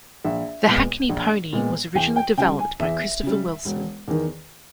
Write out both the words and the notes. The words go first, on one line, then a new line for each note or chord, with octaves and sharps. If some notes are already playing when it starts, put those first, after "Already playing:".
The Hackney Pony was originally developed by Christopher Wilson.
A#1 E5
A#2 G#3 B3
A#1
A#2 G#3 B3
E2 G5
G5
C#3 G3 G5
G#5
E2 E5
C#3 G3
E1
E2 D#3